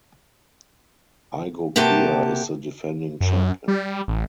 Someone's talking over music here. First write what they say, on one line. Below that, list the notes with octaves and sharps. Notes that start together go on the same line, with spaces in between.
Igokea is the defending champion.
C3 A#3 F#4 G4 G5 A5
F#2
G3
A1